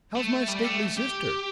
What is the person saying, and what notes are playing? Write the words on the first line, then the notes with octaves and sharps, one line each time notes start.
How's my stately sister?
A3
G3
A3
G4